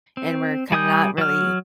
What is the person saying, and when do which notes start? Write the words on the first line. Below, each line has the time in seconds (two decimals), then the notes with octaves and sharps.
and we're kinda not really
0.17 C4
0.72 G3 G#5 D#6 G6
1.18 F#3 F6